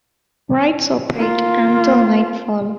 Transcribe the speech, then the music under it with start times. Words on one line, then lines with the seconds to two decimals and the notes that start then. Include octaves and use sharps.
Rides operate until nightfall.
1.15 A#3 F4